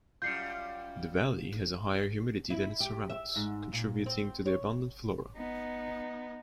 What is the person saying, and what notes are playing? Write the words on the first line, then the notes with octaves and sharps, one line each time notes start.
The valley has a higher humidity than it surrounds, contributing to the abundant flora.
F#2 G3 F4 G6 C7 C#7
E4
G4
E5
G#2
A#2
C4
C#5
B3 D#4